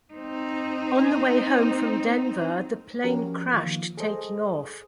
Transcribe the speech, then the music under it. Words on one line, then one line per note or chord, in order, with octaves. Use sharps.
On the way home from Denver the plane crashed taking off.
C4 D#4
F3 C#4 F#4 G4 A#4
D#3 F3 A#3 F4
G#4 A4 C5 D#5